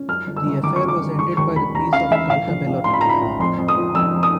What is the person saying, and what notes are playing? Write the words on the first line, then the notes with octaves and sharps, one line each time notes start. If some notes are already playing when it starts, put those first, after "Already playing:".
The affair was ended by the peace of Caltabellotta.
Already playing: C#4
F#2 F6
G1
E6
G1
D#3 D6
C#6
F#2
D6
G1
E1 C#6
D#2 C#6
D#2 B5
D#2 A#5
C#3 F5
E3 E5
A2 F5
A#1
A#1
A2 C6
B5
A2 A#5
B5
A2
F2 C6
F2
D#6
F3
F2 E6
F2
D#6